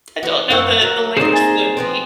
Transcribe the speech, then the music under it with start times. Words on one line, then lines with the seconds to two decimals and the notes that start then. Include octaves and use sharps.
I don't know the the language fluently.
0.23 E3 F#4
0.50 F#2 A#3 F4 F#5 C#6 E6
0.82 F#3 F#4 A#4
1.17 A#3 C4 D#4 G#4 C5 D5 D#5
1.33 G#5 A#5 A6
1.77 F3 B3 C4